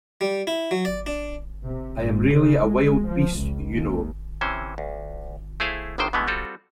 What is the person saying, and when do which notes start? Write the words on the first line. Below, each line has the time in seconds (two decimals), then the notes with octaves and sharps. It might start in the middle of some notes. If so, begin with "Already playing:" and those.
I am really a wild beast, you know.
0.21 G3
0.47 E4
0.71 F#3
0.85 D5
1.06 D4
1.66 C3
2.00 G#2
2.32 C#3
2.65 G#3
3.07 F3
3.38 C#2
3.73 D#2
4.41 C3 E3 C#4 C5
4.78 D2
5.60 A3 E4 G#4 C5 F5
5.98 G1 A2 D3 D#3 C5 G5
6.13 B2 D3 E3 G#3 A3 B3
6.27 G3 C4 F4 F#4 A4